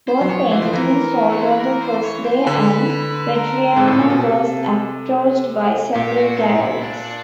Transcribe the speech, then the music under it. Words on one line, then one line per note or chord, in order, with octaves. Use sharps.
Both paintings sold on the first day and Vettriano was approached by several galleries.
C5
F#3
F3 C#5
E3 C5
F3
E3 A#4
C#5
C5
B4
A#4
C5
C#5
C5
D3 B4
B4
A#4
G#2 A4
A2
A#2
B2
C3
A#2 G4
F#4
D#4
E4
D4